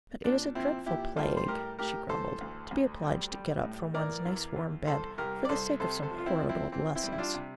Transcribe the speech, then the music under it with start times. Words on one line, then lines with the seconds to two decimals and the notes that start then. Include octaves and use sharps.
"But it is a dreadful plague," she grumbled, "to be obliged to get up from one's nice warm bed, for the sake of some horrid old lessons!"
0.24 A#2 D4
0.55 F3 C4 E4
0.86 A#2 E4 G4
1.16 G3 F4 A4
1.37 C5
1.48 A2 G4 A#4
1.79 A2 G4 A#4
2.09 E3 A4 C5
2.41 D2
2.71 D2
3.03 G3
3.33 G3
3.64 A2
3.94 E3 A#4 D5
4.25 E2
4.56 E2
4.87 C2 A4 C5
5.18 C2 G4 A#4
5.45 D5
5.49 C2 A4 C5
5.80 C3 A4 C5
6.02 A4 C5
6.11 F3
6.18 F4
6.26 C4 E4
6.41 F3
6.49 C4 E4
6.72 E3 C4
6.96 C4 E4
7.03 G3
7.12 E4
7.18 D4 F4
7.34 C3